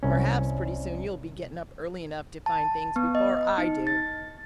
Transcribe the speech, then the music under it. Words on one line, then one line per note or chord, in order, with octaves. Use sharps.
"Perhaps pretty soon you'll be gettin' up early enough to find things before I do!"
C2 C#4
A5
B3
D#5
D#4
A6